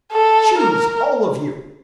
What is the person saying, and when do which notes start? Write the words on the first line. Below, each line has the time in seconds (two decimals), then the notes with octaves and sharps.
"Choose, all of you!"
0.12 A4
0.58 A#4